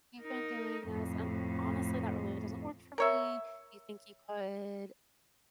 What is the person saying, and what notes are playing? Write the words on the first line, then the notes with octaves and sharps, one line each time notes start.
you've been doing this, and honestly, that really doesn't work for me. Do you think you could"
D#4 A#4
F2 A2
A#4 C#5 E5